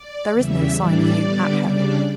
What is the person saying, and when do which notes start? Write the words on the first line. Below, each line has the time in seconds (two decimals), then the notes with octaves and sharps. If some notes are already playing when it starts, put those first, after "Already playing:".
There is no sign of you at home.
Already playing: D5
0.32 E2 C#3 G3 E5
0.75 A2 E3 G3 D4 D5
1.19 D3 G3 B3
1.62 C#3 G3 D4 D5